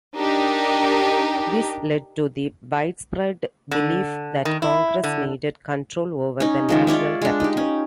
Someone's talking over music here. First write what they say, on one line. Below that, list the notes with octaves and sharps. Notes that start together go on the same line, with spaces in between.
This led to the widespread belief that Congress needed control over the national capital.
D4 D#4 G4 A#4
D3
D#3
E4
D3
C#4 D#4
D#3 F3 G#3
F4 C#5 D5 E5
G#3 D4
D#4 G4
C#4